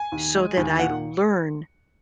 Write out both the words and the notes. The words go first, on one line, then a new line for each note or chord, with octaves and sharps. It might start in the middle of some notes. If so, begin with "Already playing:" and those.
so that I learn
Already playing: G#5
D#2
G#3
D#2
A#2 F#5